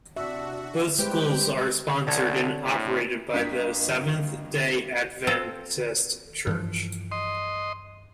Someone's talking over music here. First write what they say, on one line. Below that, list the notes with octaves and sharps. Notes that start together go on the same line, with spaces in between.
Both schools are sponsored and operated by the Seventh-day Adventist Church.
C3 D4 F#4 E5
G3 G#3 G4 B4 C5 G5
C2 D3 A4 C#5
A2
G2 A#3 F4 D#5 B6
C4 F4 A4 C5
G2 E3 F3
D#5 C6